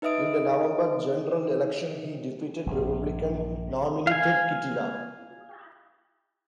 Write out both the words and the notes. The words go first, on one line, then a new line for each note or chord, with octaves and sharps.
In the November general election he defeated Republican nominee Ted Kittila.
D#4 B4 D#5 E5 D#6 D7
A#1 G2
F5 G#5